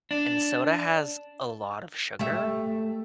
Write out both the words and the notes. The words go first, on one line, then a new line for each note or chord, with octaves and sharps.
and soda has a lot of sugar.
D4
A3 G4 E5